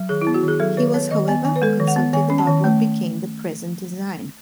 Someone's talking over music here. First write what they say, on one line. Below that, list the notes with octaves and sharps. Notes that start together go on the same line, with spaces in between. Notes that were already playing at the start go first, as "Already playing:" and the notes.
He was however consulted about what became the present design.
Already playing: F#3
D#3 G#4
E4
B3
F#4
D#3
G#4
F#3 A4
D#3 B4
B3 C#5
D#3 D#5
B3 G#5
D#3 G#5
B4
G#3 A4
D#3
F#5
B3
D#3 G#5
C#4
A5
D#3
A3